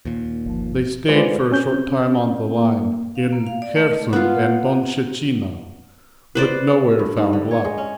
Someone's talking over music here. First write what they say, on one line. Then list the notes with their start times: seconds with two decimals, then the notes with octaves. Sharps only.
They stayed for a short time on the line, in Kherson and Donshchina, but nowhere found luck.
0.05 D#2 A#2
0.46 G1 F3
1.08 G#3 F4 G#4 B4 C5 D5
1.51 C4 C#4 G6
2.58 A#3
3.15 F5
3.33 A#3
3.47 F5
3.62 D5
3.76 A3
3.87 D#5
4.13 B3 F4
6.35 B4 C5 D5
6.99 G2
7.17 G#2
7.33 D3
7.51 C#5
7.65 G#3
7.78 C#4